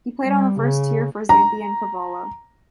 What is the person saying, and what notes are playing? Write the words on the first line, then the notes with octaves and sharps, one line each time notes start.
He played on the first tier for Xanthi and Kavala.
G3
C#3
A#5